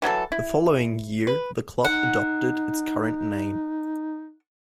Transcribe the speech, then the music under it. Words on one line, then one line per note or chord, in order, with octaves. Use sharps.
The following year the club adopted its current name.
E3 F#3 G#4 A4
E4
B4
D#4 F#5